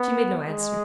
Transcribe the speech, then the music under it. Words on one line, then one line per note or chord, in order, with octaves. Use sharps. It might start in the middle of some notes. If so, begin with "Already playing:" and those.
She made no answer.
Already playing: B3
G#3